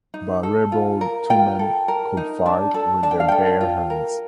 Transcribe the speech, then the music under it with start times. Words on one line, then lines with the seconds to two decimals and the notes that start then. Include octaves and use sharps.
But rebel two men could fight with their bare hands.
0.14 D#4
0.43 A4
0.72 F4
1.01 A#4
1.30 F4 G5
1.59 A4
1.88 A#4
2.17 D#4
2.46 D4 A5
2.74 A4 A5
3.03 D4 A5
3.11 G5
3.20 F5
3.28 A4 G5
3.61 F4
3.90 A#4